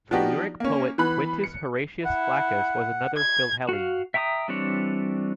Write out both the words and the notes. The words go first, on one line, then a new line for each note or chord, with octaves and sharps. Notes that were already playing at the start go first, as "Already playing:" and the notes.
The lyric poet Quintus Horatius Flaccus was another philhellene.
F3 B3 D4 D#4 F#4 G4
A#3 C#4
E3 B3 B5 F#6
C#7
E4 F#5
G#6
F#4 F5
E5 G5 A#5 C#6 D#6
E3 G3 C4 D4 C#5